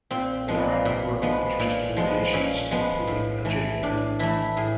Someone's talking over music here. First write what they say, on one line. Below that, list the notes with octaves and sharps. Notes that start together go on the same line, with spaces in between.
There are a number of interesting variations, including a jig.
A#2 C4
F3 G#3 B3
A#2
F3 G#3 B3
A#2
F3 G#3 B3
A#2 C#4
F3 G#3 B3
A2
E3 A3
A2 D4
E3 A3 E4
A2 G#4